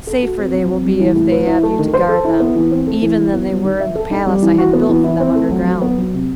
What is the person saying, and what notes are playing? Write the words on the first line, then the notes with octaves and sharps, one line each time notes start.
Safer they will be if they have you to guard them, even than they were in the palace I had built for them underground.
A4
F#4
C4
F#3
C4
G3
E3
A2
B4
E4
A3
D#3
C5
A4
E4
B3
E3
C4
A3
E3
E4
B3
G3
D#3
E5
A4
D#4
G3
E3
F#4
B3
E3
E4
C4
A3
F#3
F#4
B3
F#3
C3